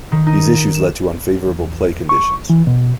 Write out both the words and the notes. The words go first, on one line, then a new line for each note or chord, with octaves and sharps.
These issues led to unfavorable play conditions.
D#3
D#4
E7
E2
C#6
E3
B2